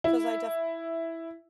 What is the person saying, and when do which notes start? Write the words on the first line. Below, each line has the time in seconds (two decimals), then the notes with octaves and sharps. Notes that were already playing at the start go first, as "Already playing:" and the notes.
'Cause I def
0.04 E4